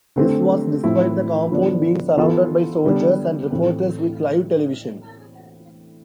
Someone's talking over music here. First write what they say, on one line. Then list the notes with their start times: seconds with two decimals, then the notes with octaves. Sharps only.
This was despite the compound being surrounded by soldiers and reporters with live television.
0.16 D3 A3 C4 G4
0.84 A2 F3 C4 E4
1.50 D3 F3 B3 D4
2.17 E3 B3 F4 A4
2.84 D3 G3 B3 D4
3.51 A2 E3 A3 C4